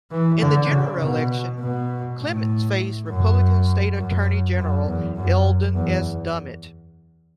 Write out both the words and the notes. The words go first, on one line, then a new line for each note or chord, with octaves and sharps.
In the general election, Clements faced Republican state attorney general Eldon S. Dummit.
E3
D3
C#3
B2
B2
A2
F#2
F#2
F#2
E2
F#2
E2